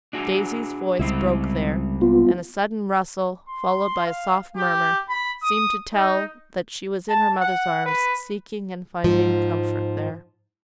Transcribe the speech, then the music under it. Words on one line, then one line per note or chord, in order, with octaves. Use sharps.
Daisy's voice broke there; and a sudden rustle, followed by a soft murmur, seemed to tell that she was in her mother's arms, seeking and finding comfort there.
D4 F#4 G#4
C#2 G3 C4 E4
B3 F4
C6
F5
G4
B5
D#6
D#4
A5
F#5
B4
G#2 F3